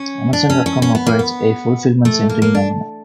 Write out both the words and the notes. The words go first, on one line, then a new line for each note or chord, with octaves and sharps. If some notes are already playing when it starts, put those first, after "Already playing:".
Amazon dot com operates a fulfillment center in Avenel.
Already playing: C#4
D4
C#4
C#4
C#4
B3
A#3
B3
A3
A#3
A#3
D4